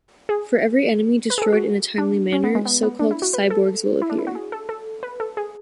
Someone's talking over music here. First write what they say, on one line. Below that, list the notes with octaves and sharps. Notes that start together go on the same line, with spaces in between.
For every enemy destroyed in a timely manner, so-called "cyborgs" will appear.
G#4
B4
G#4
A4
F#4
D4
C#4
B3
G#3
B3
B3
D4
E4
F#4
B4
A4
E4
D4
E4
F#4
G#4
A4
A4
B4
A4
G#4